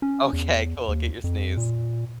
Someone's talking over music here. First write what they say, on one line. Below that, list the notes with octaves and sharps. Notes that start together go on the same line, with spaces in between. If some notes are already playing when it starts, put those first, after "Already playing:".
Okay, cool. Get your sneeze.
C#4
E2
D#2
F2
A#2